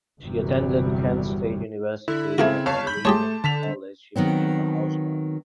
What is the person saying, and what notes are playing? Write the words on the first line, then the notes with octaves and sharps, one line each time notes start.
She attended Kent State University, and upon leaving college she became a housewife.
G1 E2 C3 F#3 G3
D3 E4
C#3 A3 A#3 C4 F#4 G#6
G1 C#5 F5 A5
B5 G6
A3 G4 G#4 C#5 A5 C6 D6
D3 A5 B6 F7
D#3 F#3 B3 C4